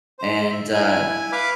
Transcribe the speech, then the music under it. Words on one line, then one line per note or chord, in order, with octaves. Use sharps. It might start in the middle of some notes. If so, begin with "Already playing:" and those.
and, uh
C5
E5
E4 G#5
B4 F5 B5 D6